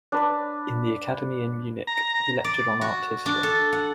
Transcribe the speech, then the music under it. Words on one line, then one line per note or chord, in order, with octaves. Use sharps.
In the academy in Munich, he lectured on art history.
D4 B4
A#5
D5
F#4
D4
A4
F#5